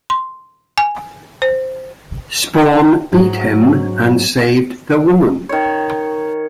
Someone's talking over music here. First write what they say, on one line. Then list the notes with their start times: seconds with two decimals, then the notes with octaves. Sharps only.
Spawn beat him and saved the woman.
0.10 C6
0.78 G#5
1.42 C5
3.12 G#2 F#3 G#3
5.49 D#3 C#5